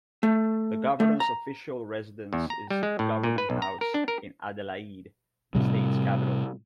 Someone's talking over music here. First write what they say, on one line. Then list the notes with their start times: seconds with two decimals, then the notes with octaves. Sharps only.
The Governor's official residence is Government House, in Adelaide, the state's capital.
0.23 A3
1.00 A3
1.20 A#5
2.33 E2
2.50 A#5
2.70 G3
2.83 G#3
2.99 A2
3.23 A#2
3.38 B4
3.50 B1
3.62 A#5
3.81 A#4
3.94 D4
4.08 A#4
5.55 A2 C3 G3